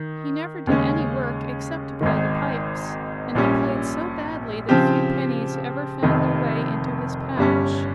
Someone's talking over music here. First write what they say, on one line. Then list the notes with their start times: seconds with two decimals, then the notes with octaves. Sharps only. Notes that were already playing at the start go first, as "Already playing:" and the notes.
He never did any work except to play the pipes, and he played so badly that few pennies ever found their way into his pouch.
Already playing: D#3
0.67 D#2 C#3 G#3 C#4
2.01 G#1 G#2 D#3
3.35 A#1 A#2 G3 C#4
4.69 C#3 F3 C4 G4
6.03 F1 F2 C3 D#3
7.37 G1 G2 G3 C#4